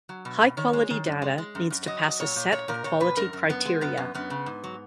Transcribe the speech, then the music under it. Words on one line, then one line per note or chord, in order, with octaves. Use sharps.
High-quality data needs to pass a set of quality criteria.
F#3
B2
B2
D#3 C#5
G#3
D#3
F#2
G#3
G#3
F#2
F#2
F#3 D#5
F#3
A#2 C#5
A#2
A#2 C#5
A#2 A#4
A#2 C#5
A#2 B4
F#2 A#4
F#2
F#2 B3
G#3
F#2 B3
F#2
F#2 B3
C#3
G#2
F#3